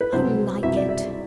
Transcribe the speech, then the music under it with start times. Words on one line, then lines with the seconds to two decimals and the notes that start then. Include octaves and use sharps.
I like it.
0.01 B4
0.12 C2 B2 F#3 C4 E4 C5
0.63 C2 B2 F#3 C4 E4 E5
0.76 D5
0.89 E5